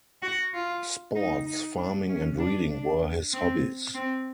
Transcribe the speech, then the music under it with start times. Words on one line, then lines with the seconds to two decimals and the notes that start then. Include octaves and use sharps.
Sports, farming and reading were his hobbies.
0.22 F#4
0.54 F4
1.15 D#4
1.46 D#4
1.78 D4
2.08 C#4
2.39 D4
2.70 D4
3.33 C4
3.94 C4